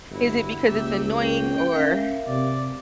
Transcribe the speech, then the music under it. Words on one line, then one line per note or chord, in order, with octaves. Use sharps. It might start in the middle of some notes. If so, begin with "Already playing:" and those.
Is it because it's annoying or
G1 E4 F#4
C#2 A#3 G4 E5
A#3 C#4 G5
C#4 A#4 E5 F5
C3 D5